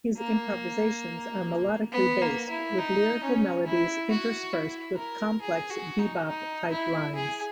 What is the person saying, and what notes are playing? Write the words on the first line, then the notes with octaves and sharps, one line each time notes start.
His improvisations are melodically based, with lyrical melodies interspersed with complex bebop type lines.
A#3
B3
A#3
E4
D#4
C#4
E4
F#4
E4
A#4
G#4
F#4
D#4
D#4
E4
G#4